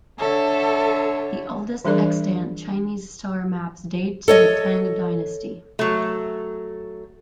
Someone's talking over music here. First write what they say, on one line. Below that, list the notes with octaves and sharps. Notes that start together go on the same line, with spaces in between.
The oldest extant Chinese star maps date to the Tang dynasty.
D3 A4 C#5 E5
E3 G3 D4 G#4 A#4 D5
A4 C#5 D#5
F#3 A3